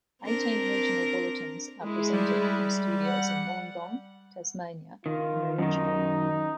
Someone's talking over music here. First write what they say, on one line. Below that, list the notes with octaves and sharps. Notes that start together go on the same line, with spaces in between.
Eighteen regional bulletins are presented from studios in Wollongong, Tasmania and Maroochydore.
C4 D4 A#4
G#3 E4
G3
F#5
D#3 F4
F#2 D#3 D#4